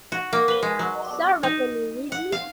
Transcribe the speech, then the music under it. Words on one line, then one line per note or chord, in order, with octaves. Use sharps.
Sara can you read me?
F#4
A#3
B4
G#3
F#3
D#4
F#5
F5